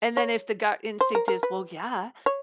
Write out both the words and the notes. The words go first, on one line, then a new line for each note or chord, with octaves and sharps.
And then if the gut instinct is, "Well, yeah."
C#5
C5
A#4
A#4
B4
C#5